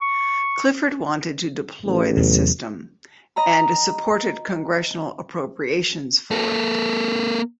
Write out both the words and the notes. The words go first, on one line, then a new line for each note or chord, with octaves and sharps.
Clifford wanted to deploy the system, and supported congressional appropriations for it.
C#6
A1
E2 C3 F#3
D#5 A#5 B5
A#3 A4